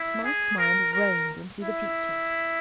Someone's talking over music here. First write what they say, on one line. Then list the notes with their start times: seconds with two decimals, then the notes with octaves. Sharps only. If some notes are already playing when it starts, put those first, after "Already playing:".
Mike's mind roamed into the future.
Already playing: E4
0.24 G#4
0.58 A#4
0.93 A#4
1.63 E4